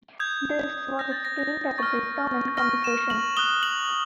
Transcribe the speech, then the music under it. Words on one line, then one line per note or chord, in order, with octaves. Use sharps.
This was explained as a breakdown in communication.
D#6 G6 G#6
D#6 G6 A#6
A6
A#6
A#6
C#6 F6 A6
C#6 F6 A#6
E7
F#7
D#6 F#6 G7
F#7